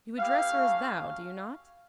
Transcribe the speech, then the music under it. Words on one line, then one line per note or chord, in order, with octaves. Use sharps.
"You address her as thou, do you not?"
B3 E4 G4 F5
A3 C#4 F#4